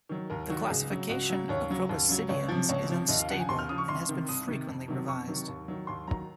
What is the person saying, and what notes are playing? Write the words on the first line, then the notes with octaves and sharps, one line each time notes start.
The classification of proboscideans is unstable and has been frequently revised.
D#3 F#3
D#2 A#4
D#3 F#3 F#4
C#2 G#4
C#3 F#3
C#2 F#4
C#3 F#3
D#2 C#5
C#3 F#3
D#2
C#3 F#3
C#2 C#5
C3 F3
C#2 C#5
C3 F3
D#2 D#5
F5
C#3 F3 F#5
G#5
D#2 C6
F6
C#3 F3 D#6
C#6
C2 C6
C3 D#3
C2 D#6
C3 D#3
F2
C3 D#3 F#3
F2 C#6
C3 D#3 F#3
D#2
D#3 F#3
D#2 C6
D#3 F#3 A#5